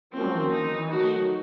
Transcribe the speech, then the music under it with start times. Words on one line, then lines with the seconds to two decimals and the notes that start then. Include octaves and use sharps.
Oh my gosh.
0.13 F3 A#3 C4 C#4 F#4 A#4
0.52 D#4
0.90 D#3 F#3 A3 D#4 F#4